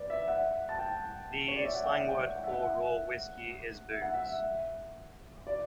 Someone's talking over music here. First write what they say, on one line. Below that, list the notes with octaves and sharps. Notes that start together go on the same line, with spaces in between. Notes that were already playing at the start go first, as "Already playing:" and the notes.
The slang word for raw whiskey is booze.
Already playing: B4 D5
E5
F#5
A5
G5
C#5
D5
E5
F#5
G5
F#5
G5
F#5
E5
F#5
E5
F#5
E5
D5